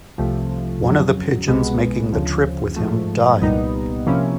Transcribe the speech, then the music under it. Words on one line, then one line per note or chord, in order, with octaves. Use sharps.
One of the pigeons making the trip with him died.
C2 C3 F3 A3
F2 C#3 F#3
C2 B2 G#3 B3
D2 C#3 F3
G#2 F3 A3
C2 A#2 G3 B3 D#4
C3 F3 A#3 C#4 E4